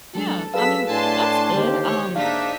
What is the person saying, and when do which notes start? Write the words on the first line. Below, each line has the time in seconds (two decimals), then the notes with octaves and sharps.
Yeah, I mean, that's good. Um,
0.15 F#3 G#3 D4 A4
0.54 F#3 D4 G#4 A4 B4 F5 E6 B6
0.88 A2 D4 G#5 A5 C6
1.54 D#2 D3 G4 C5
1.85 C#5
2.16 G#2 A#3 D4 D#4 E5 F5 B6